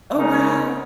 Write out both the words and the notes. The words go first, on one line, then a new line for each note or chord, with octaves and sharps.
Oh, wow.
C#3 G#3 D#4 A#4 C#5